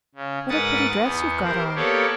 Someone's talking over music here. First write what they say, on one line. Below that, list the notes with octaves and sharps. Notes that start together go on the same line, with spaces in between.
"What a pretty dress you've got on!"
C#3
G#2 A#4 B4 F#5 D#6 A6
E2 B3
G4 A#4 C5
A#3 B3 G4 A4 C#5 D5